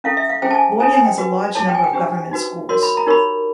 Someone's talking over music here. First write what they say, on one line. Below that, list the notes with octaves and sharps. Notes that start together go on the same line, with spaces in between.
Laudium has a large number of government schools.
C#4 E4 A4 F5
E5
F5
C#4 E4 G#4 C5 G5
A5
G#5
E4 A4 C5 G#5
G#5
G5
F#4 B4
E4 G#4 C#5 A5
G5
G#5
G5
D4 G4 C5
D#4 F#4 B4
F#4 A#4 C#5 C6
B5
A#5
D#4 G4 A#4 C#5 B5